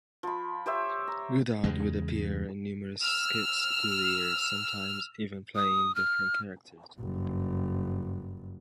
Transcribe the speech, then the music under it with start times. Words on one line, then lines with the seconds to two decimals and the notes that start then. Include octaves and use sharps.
Goddard would appear in numerous skits through the years, sometimes even playing different characters.
0.23 F3 B5
0.66 G4 C5 C#5 E5
1.08 A#5
1.64 E2 C#3 G#3
3.01 E6 F6
5.55 D#6
5.95 F6
6.97 F#1 G2